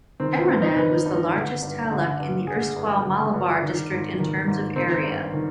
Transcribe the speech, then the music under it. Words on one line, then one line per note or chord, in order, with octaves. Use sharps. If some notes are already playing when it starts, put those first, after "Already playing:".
Eranad was the largest Taluk in the erstwhile Malabar District in terms of area.
D#3 C4
B3
G2 C4
D#4
D#3 B4
G2
D3
G2
D3
G2
D3 G#4
G2
D3
G2
D#3
G#2
D#3
G#2
D#3 C4
G2
D#3